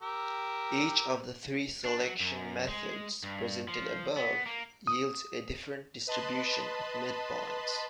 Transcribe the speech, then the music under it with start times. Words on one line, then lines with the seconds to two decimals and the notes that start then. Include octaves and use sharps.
Each of the three selection methods presented above yields a different distribution of midpoints.
0.02 G4 A#4 E6
1.85 D4
2.00 F#3
2.20 F#2
2.68 G#3
3.23 G2
3.68 F3
4.17 B3
4.46 A#3
4.87 D#6
6.07 B4 D#5 A5 B5 C6